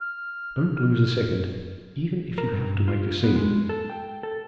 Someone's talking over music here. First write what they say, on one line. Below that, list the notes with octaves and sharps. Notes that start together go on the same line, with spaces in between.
Don't lose a second, even if you have to make a scene.
F6
A#4
G2
F4
B3
G#3
A4
G5
A4